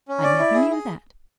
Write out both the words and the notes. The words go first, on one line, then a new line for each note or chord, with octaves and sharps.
I never knew that.
C#4
D5
E4
G#4
G#4